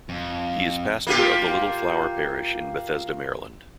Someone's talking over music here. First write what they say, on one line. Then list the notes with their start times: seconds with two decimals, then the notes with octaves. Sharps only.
He is pastor of the Little Flower Parish in Bethesda, Maryland.
0.09 F2
1.07 A#3 F4 G4